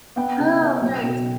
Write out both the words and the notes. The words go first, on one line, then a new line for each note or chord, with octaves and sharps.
Oh, nice.
B3 G5
C#3
B3
B1
B2